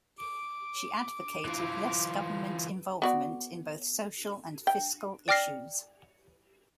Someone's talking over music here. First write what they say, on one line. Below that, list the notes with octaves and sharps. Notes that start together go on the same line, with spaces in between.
She advocated less government involvement in both social and fiscal issues.
D6
E3 F4
B3 F#4 D5
G5
D5 G5 D6 F6 A#6 C7